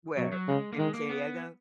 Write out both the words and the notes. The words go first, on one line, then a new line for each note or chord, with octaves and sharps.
Where? In San Diego?
B2 F#3
F#3
C#3 G#3
A#3
D#3 G#3
A#3
B3